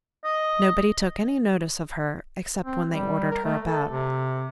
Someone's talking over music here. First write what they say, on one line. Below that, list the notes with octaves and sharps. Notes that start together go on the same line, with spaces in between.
Nobody took any notice of her except when they ordered her about.
D#5
C4
G3
A#4
A3
A4
C3